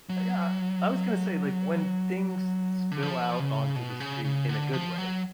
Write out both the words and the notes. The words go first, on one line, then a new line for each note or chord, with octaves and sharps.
yeah, I was gonna say, like, when things s spill out onto the street in a good way,
F#3
D3
F3
C#3
B2
C#3
C#3
D3
F3
F#3